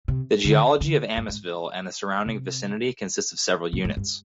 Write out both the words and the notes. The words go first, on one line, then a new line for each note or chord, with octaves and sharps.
The geology of Amissville and the surrounding vicinity consists of several units.
C3
D3
D3
G2
G#2
C3
A#2
G#2
G2